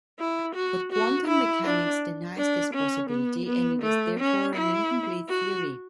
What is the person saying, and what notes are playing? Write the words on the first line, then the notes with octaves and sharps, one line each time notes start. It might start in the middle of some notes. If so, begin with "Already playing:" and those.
But quantum mechanics denies this possibility and it is therefore an incomplete theory.
E4
F#4
F#4
E4
D4
D4
C#4
B3
B3
A3
C#4
E4
F#4